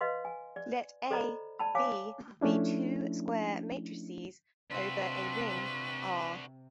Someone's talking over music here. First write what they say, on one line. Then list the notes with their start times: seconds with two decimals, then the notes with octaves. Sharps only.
Let "A", "B" be two square matrices over a ring "R".
0.01 B4 D#5 F5 C6
0.25 G#5
0.56 D5
1.10 A4 C5 D5 D#5 A#5 B5
1.59 D5 A5 B5
1.75 C#5 F5 G#5 D6
2.41 F3 A3 C#4 D4 E4
4.71 C3 C4 D4 F4 F#4 B4